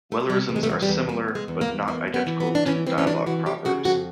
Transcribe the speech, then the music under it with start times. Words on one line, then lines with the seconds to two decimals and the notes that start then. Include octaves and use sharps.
Wellerisms are similar but not identical to dialogue proverbs.
0.12 A3
0.20 G#3
0.29 C3 G3
0.49 E2
0.56 G#3
0.63 A3
0.69 E2 G#3
0.82 G3
0.89 E2
1.09 E2 G3
1.28 E2
1.35 G#3
1.48 E2
1.61 A#3
1.68 E2
1.88 E2 A#3
2.08 E2
2.14 B3
2.27 E3
2.40 B3
2.47 E2
2.55 D4
2.66 E3 C#4
2.87 E3 C4
2.98 C#4
3.06 C3 D4
3.26 E3 F#4
3.46 F3 G4
3.65 C#3 F#4
3.85 F2 F#4